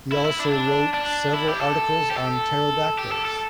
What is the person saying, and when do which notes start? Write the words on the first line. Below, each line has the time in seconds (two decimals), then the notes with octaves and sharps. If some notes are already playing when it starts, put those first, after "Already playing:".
He also wrote several articles on pterodactyls.
0.12 E4
0.25 E4
0.39 D4
0.52 D4
0.94 D4
1.34 E4
1.49 G4
1.61 A4
2.11 G4
2.17 A4
2.99 G4
3.12 A4
3.25 A4